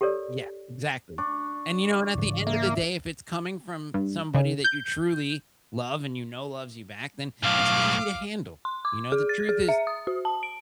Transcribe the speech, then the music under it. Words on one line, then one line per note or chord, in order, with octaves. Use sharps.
Yeah, exactly, and, you know, and at the end of the day, if it's coming from somebody that you truly love and you know loves you back, then it's easy to handle. You know, the truth is,
G4 A4 A#4 C#5 D5
D4 C#6
G#2 C#3 E3
A#3 E5
G2
C#3
G6
B1 A2 F5 D6
C6
D6
G#4
A6
G#4
E5
D#6
F#4
A5
D7